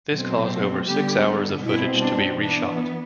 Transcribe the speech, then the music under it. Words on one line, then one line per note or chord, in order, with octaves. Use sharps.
This caused over six hours of footage to be re-shot.
B2 F#3 A3 C4
D3 G3 B3 G4
B2 G3 C4 E4
D4
E3 B3 D4